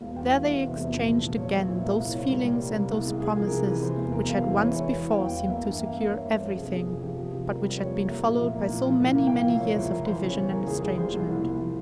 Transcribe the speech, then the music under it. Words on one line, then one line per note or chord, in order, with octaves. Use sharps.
There they exchanged again those feelings and those promises which had once before seemed to secure everything, but which had been followed by so many, many years of division and estrangement.
E1 F5
E2 G5
E2 F5
E1 E5
C3 C5
E1 C5
A#1
A#1
A#2
A#1 C#5
G#3 E5
A#2 C5
A#3
C2
C2 C#5
C5
G3 A#4
G3
A#3
C3
C2
G#3
G#3 G#4
F3 G#4
A#4
C3 G#4
E3
E3 C5
E1
E1 A#4
E1 F5
E3 E5
E3 C#5
E2 C#5
E3 C#5
E2
G5
F5
E1
G5
E3 F5
A#3 E5
G2
A#3 F5
A#3 E5
A#3 C#5
G2 C5
F2 C#5
C3 G#4
C3 G#4
F3
F3 G4
F3 G#4
C3 G4
G3 A#4
G3 C5
F2 C#5
A#3 C#5
A#3 E5
A#2
F3
A#3
A#2
F3
C2
A#3 F5
G5
A#3
F5
F3 E5
A#3 C#5
C#2 C5
F3 A#4
E3 C5
C#3 C#5
E3 C#5
C#3 A#4
C#2 G#4
G3 G#4
F3 C5
C2
C2
C2
F3